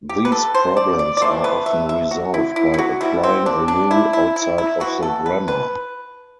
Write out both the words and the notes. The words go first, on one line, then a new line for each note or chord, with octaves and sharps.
These problems are often resolved by applying a rule outside of the grammar.
G4
B4
A4
C5
D5
D5
D5
C3 E3 A3 C5
B4
E5
E5
F#4
E4
E4
E4
F#4
B2 G3 B3 E4
C4
D4
D4
E4
E4
E4
E4
E3 B3 F#4
A4
B4
B4